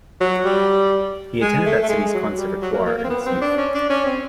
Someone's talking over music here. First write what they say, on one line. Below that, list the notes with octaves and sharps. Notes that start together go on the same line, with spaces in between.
He attended that city's conservatoire in his youth.
F#3
G3
G#3
A3
A3
G#3
F#3
G3
F#3
A#3
A#3
A#3
C4
B3
C4
D4
C#4
D4
C#4
C4